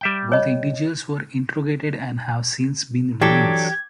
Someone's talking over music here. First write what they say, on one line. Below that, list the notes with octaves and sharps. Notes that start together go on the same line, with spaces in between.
Both individuals were interrogated and have since been released.
G3 E5 G5
C#5 D#5
E3 F#3 D4 G4 A4 G#6